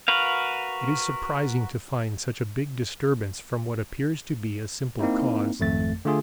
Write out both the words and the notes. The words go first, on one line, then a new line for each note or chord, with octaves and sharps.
It is surprising to find such a big disturbance from what appears to be a simple cause.
F#4 A#4 B4 F5
A#3 C4 D#4 E4
G#1 F2 A3 A6
D3 A3 F4 G#4